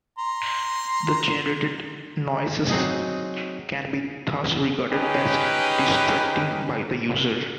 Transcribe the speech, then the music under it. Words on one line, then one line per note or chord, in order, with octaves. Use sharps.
The generated noises can be thus regarded as distracting by the user.
A#5 C6
F#3 C4 D#4 G#4 D#5
C#4 D#4 G4 G#4 B4